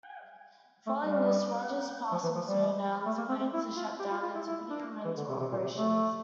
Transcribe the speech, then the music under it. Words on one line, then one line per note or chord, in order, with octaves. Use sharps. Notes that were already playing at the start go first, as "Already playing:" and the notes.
Following this, Rogers Plus also announced plans to shut down its video rental operations.
A3
G3
F3
E3
F3
G3
A3
A#3
C4
C4
E4
F4
G4
F4
F4
E4
E4
D4
E3
D3
C3
C3
A#2
C3
A3